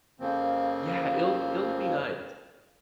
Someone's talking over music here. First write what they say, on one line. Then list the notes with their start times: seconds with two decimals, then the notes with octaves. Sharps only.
Yeah, it'll it'll be nice.
0.20 F2 C#3 F3 A#3 C4